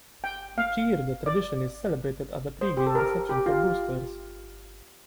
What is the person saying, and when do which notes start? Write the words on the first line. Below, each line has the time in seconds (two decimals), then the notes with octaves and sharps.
Each year the tradition is celebrated at a pre-game reception for boosters.
0.24 G5
0.58 F5
1.26 D5
2.61 C5
2.77 G4
2.87 A4
2.95 A#4
3.30 G4
3.46 F4